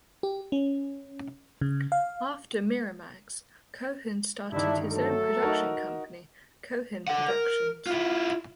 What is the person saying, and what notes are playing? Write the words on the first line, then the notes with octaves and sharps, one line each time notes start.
After Miramax, Cohen started his own production company, Cohen Productions.
G4
C#4
C#3
F5
G2 D3 D#3 D4 E4
F#3 A3 A4
D#4 F#4 A#4
A4 F#5
A#4
E4 F4